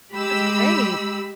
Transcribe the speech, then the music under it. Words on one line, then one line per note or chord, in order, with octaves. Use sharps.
That's great.
G#3 G4 B5 E6